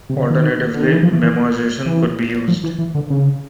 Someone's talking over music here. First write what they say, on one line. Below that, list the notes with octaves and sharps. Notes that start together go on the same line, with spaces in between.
Alternatively, memoization could be used.
C3
C#3
D#3
D3
D#3
E3
F3
E3
E3
E3
F3
E3
E3
D3
C#3